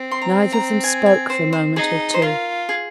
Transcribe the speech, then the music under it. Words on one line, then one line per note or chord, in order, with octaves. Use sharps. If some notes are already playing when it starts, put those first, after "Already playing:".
Neither of them spoke for a moment or two.
Already playing: C4
C6
A#5
A#5
G#5
G#5
C5
C5
D#4 G#4
C5
F4 A#4
G#4